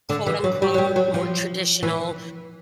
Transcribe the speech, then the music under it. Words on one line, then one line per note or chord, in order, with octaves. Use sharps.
quote, unquote, more traditional,
D3
E3
F#3
G3
F#3
G3
F#3
F3
E3